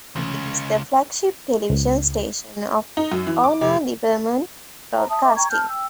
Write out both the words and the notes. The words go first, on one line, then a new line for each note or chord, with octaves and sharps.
It is the flagship television station of owner Liberman Broadcasting.
C#2 C3 E3 A3 C#4
C#2
D#4
F#2
E3
D6
F1
C5 A#5 B5
E5 A5 D#6
A#4 D#5 E5 D6
G5 A#5 C#6 G#6
A5 F6 G6
G5 E6